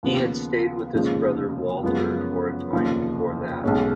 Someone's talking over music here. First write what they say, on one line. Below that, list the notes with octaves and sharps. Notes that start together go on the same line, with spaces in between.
He had stayed with his brother Walter for a time before that.
D#2 C#3 F3 B3
F1 D#2 C#3 F3 G#3
F#2 C#3 F3 G#3 B3
F1 D#2 C#3 F3
B1 B2 G#3 C#4